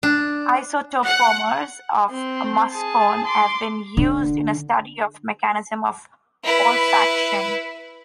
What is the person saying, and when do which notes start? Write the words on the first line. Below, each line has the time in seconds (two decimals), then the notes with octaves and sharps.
Isotopomers of muscone have been used in a study of the mechanism of olfaction.
0.03 D4
1.04 F#5
2.10 C4 C6
2.73 G#4 A5
3.25 C6 D6
3.97 D3
6.44 E4 B4